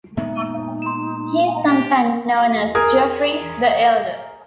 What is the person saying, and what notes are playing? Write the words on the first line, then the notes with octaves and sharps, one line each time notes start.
He is sometimes known as "Geoffroy the Elder".
A#2 G#3 B3 D#4 E5
C6 E7
G4
G#4 A#4 A#5 D#6 G#6